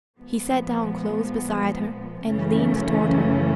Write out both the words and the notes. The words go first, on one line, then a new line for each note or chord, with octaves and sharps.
He sat down close beside her and leaned toward her.
A#2 F3 G#3 B3
F#2 C#3 E3 A3 C#4